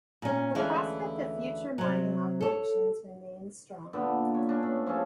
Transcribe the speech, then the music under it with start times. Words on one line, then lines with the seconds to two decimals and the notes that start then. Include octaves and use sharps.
The prospect of future mining operations remains strong.
0.22 A#2 C#4
0.55 D2 E3 G#3 C#4 E4 F5
1.78 C3 F#3
2.41 A4 C#5
3.93 A#2 D3 B3 D4
4.35 C#5
4.49 C#4 D4
4.63 A2
4.86 F3 C#4 G#4 A4